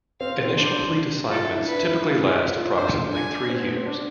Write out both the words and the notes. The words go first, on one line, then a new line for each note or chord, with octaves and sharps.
Initial fleet assignments typically last approximately three years.
C4 F5
C4
C4
D4 C5
F4 A4
E4
D4
E4 B4
E4
F4
G#4
F4
F4
D4 C5
D4 G#5
C4
B3
A3
C4
D4